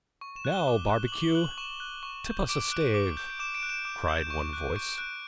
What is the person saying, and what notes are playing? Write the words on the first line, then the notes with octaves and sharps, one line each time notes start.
"Now, Barbecue, tip us a stave," cried one voice.
C#6
E7
F#6
G7
D6
F#6
F#7
D6 G7
G7
F#6 F#7
C#6 E7
F#6
C#6
G6
D6 D7
F#6
D6
G6
D7
D6 E7
D7
F#6
E7
D6
G6
C#6
F#6
C#6 D7
D7
F#6